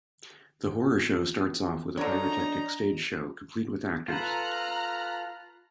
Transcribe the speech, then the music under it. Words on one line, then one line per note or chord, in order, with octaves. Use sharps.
The horror show starts off with a pyrotechnic stage show complete with actors.
D3 D4 D#4 C#5 A#5
F4 A4 B4 A#5 F6 F#6